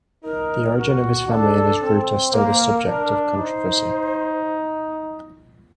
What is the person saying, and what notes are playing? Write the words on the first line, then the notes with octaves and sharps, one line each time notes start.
The origin of his family and his route are still the subject of controversy.
D#4 A#4
F#4
D4 A4
C4
A#3 A#4
C5
A#4
D4
D#4 C5